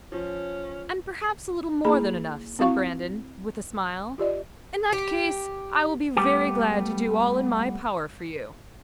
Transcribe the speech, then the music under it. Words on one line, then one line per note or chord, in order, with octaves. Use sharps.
"And perhaps a little more than enough," said Brandon, with a smile. "In that case I will be very glad to do all in my power for you."
F3 C#4
A#3 E4 G#4 A#5 B5
C4 E4 F#4 F5 C#6
F4 G4 D5 D#5
G4
G3 A3 B3 G4